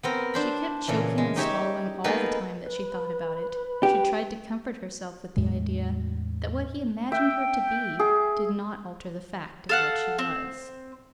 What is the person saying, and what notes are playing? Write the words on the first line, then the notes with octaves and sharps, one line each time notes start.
She kept choking and swallowing all the time that she thought about it. She tried to comfort herself with the idea, that what he imagined her to be, did not alter the fact of what she was.
B3 C4 A#4
D4 C5 B5
A#2 C#3 E3
G#3
D#4 G4 C#5 E5
A#3 B3 D#4 G#4 A4 B4
B4
G4
E2 A2 G#3
E5 G5
G#4
A4 F5 F#5
C4